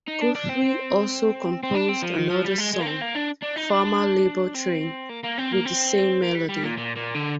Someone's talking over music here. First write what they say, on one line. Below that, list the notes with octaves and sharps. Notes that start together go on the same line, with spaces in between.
Guthrie also composed another song-"Farmer-Labor Train"-with the same melody.
D#4
D4
D4
C4
C4
D4
C4
F3
D#3
F3
G3
G#3
G#3
A#3
C4
A#3
D4
D4
D#4
D4
C4
A#3
A#3
C4
A#3
C4
A#3
G3
G3
A#2
A#2
A#2
D3